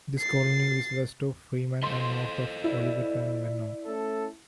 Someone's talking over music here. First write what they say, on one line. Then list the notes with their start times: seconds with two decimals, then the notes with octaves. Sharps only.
This colony is west of Freeman and north of Olivet and Menno.
0.19 A6 C7
1.83 A4 C5 D#5 C6
2.64 E4 D5
3.85 A3 C#4 A4